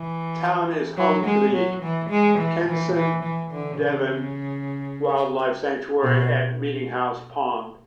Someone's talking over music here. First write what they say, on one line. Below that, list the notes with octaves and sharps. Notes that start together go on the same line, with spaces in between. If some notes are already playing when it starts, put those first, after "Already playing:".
The town is home to the Kensan-Devan Wildlife Sanctuary at Meetinghouse Pond.
Already playing: E3
F#3
G#3
F#3
E3
G#3
E3
E3
E3
E3
D3
C#3
B2